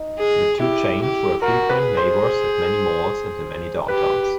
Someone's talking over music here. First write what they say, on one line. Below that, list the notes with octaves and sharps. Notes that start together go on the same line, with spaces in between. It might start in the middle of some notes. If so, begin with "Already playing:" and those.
The two chains were frequent neighbors at many malls and in many downtowns.
Already playing: D#4
G#4
E4 G4
G4
F#4 A#4
B4
G#4
C5
G4 B4